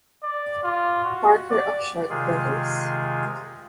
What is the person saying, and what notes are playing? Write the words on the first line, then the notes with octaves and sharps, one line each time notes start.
Parker of Short Brothers.
D5
F4
F#4
D5
C3 D#3 G#3 F4 G#4